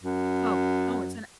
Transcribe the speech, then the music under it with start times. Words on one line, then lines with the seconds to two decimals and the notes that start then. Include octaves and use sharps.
Oh, oh, it's an
0.03 F#2